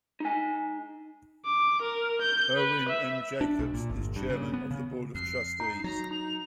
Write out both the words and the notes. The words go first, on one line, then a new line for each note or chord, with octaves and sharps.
Irwin M. Jacobs is Chairman of the Board of Trustees.
D#4 G#5
D6
A#4
G6
B4
E5
D4
B1
A#2
G1
G2
C#3
B3
C#3
F2 C7
D#4
F#3 A#5
D#4 F7